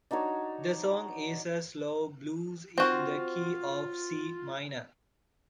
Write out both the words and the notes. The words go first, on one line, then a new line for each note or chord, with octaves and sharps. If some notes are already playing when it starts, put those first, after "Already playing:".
The song is a slow blues in the key of C minor.
D4 D#4 F#4 C#5
C4 F4 F#4 C5